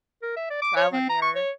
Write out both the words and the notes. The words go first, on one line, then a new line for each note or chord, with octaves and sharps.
Trial and error.
A#4
E5
D5
D6
C#5
C4
A#5
C#6
C#5